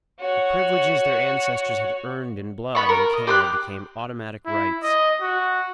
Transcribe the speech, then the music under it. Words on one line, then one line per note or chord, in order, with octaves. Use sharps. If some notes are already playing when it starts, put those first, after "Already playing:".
The privileges their ancestors had earned in blood and care became automatic rights.
F#4 C#5
B3 B5 C#6
A#4
D#5
G4 C6 F#6
E4
D#5
F#4